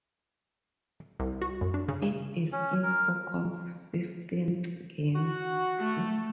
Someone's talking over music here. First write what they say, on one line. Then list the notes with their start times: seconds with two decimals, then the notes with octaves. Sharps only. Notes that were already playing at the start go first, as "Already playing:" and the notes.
It is Infocom's fifteenth game.
1.20 C2
1.42 F#4
1.61 F#2
1.74 D4
1.88 C#3
2.02 C#3
2.52 C#4
2.83 A#4
5.16 F#4
5.78 A3